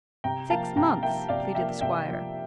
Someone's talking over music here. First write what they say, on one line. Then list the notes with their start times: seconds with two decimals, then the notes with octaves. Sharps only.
"Six months," pleaded the squire.
0.24 C3 G5 A#5
0.50 F3 A#3 F5 A5
0.76 C3 G5 A#5
1.03 F3 A#3 E5 G5
1.29 C3 D5 F5
1.55 F3 A#3 E5 G5
1.81 C3 E5 G5
2.07 F3 A#3